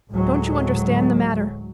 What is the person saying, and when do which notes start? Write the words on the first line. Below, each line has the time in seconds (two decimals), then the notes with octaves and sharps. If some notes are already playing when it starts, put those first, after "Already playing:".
Don't you understand the matter?
0.10 D2 A2 F#3 G#3